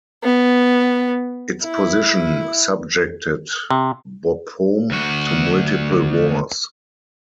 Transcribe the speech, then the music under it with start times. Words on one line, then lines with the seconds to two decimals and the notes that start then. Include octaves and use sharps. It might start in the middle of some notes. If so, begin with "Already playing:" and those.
Its position subjected Bapaume to multiple wars.
0.23 B3
1.63 E4
3.71 C3
4.91 D2 F#4